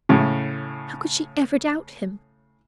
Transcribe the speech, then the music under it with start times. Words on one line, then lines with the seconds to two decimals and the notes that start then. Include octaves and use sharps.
How could she ever doubt him?
0.09 A2 C#3